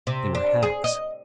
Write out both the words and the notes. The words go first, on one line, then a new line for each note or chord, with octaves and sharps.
They were hacks.
C3
D4
G#4
D#5